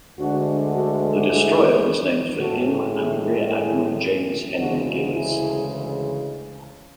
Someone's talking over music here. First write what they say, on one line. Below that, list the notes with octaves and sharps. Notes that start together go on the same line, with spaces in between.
The destroyer was named for him and Rear Admiral James Henry Gillis.
D2 D3 G#3 D4 F#4
F#4 A4
E4 G#4
A2 G#3 F#4 A4
E4 G#4
E4 G#4
D2 C#3 E3 G#3 D4 F#4
E4 G#4